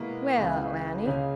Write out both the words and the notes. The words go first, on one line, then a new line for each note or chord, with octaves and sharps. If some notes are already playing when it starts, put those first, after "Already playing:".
"Well, Annie?"
Already playing: B2 G#3 A#3 B3 E4
C#2 C#3 E3 G#3 B3
C#2 C#3 G#3 A#3 C#4